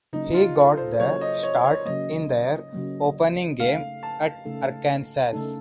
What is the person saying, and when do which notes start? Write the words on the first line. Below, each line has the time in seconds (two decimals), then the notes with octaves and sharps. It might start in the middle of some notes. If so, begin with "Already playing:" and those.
He got the start in their opening game at Arkansas.
0.13 C#3 F#3 A#3 D#4
0.34 F4
0.56 A4
0.77 C5
0.99 C#3 F#3 A#3 C#5
1.21 D#5
1.43 C#5
1.64 C#5
1.86 C#3 F#3 A#3 D#5
2.73 C#3 F#3 A#3
3.59 C#3 A3 D#4 A4 F5
4.03 A5
4.45 C#3 A3 D#4 A4
5.33 C#3 A3 D#4 A4